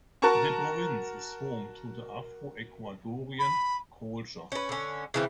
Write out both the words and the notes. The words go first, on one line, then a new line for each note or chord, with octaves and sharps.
The province is home to the Afro-Ecuadorian culture.
F#4 A#4 A5 A#5 C#6
B5
C#4 B4
D3 C#4
C#3 E3 C4